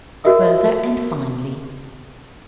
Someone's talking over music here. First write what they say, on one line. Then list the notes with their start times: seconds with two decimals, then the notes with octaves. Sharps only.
Further, and finally.
0.24 F#4 A#4 D#5 E5 D#6